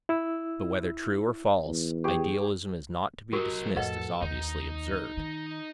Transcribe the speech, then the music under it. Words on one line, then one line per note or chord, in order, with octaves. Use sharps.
But whether true or false, idealism is not to be dismissed as obviously absurd.
E4 E6
E2
G4 G#4 C#5
F#3 F#4 G4 A#4 D#5
F2 A2 A4 B4 D#5 F#5
D#2 D#4
D#3